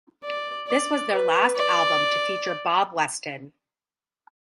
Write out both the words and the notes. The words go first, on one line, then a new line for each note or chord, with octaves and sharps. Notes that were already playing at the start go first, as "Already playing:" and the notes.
This was their last album to feature Bob Weston.
D5
D5
B4
D5